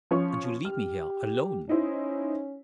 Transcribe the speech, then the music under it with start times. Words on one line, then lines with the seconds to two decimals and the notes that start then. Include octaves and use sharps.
"And you leave me here, alone!"
0.11 F3 C#4 C#6
0.65 G4 F6
1.69 C#4 D#4 E4 C5